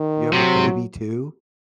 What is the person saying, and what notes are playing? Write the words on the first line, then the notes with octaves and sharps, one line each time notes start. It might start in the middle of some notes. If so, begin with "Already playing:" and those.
You have a baby too?
Already playing: D#3
C3 F#3